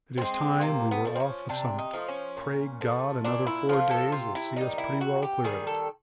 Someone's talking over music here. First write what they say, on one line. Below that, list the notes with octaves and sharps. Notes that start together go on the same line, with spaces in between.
It is time we were off the summit--Pray God another four days will see us pretty well clear of it.
E3 G#3 C4
C3 A#3
B3
F3 A3
C4
C#4
C3 D4
D#4
F3 A3
C#4
A#2
F3 A3
A#2 D4
E4
F3 A3 F4
A4
C3 F4
E4
D#3 G3 D#4
E4
C3 F#4
G4
D#3 G3 G#4
A4